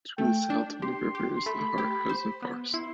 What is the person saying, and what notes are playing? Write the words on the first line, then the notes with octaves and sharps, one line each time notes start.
To the south of the river is the Harthausen Forest.
A3 G5
D4
G4 C6
G4
C6
A3 B5
G4
C5
B3
E4 C6